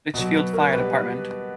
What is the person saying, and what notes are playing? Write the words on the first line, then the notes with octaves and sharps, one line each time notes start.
Litchfield Fire Dept.
B2 F#3
B4
A#4
B2 G3 B4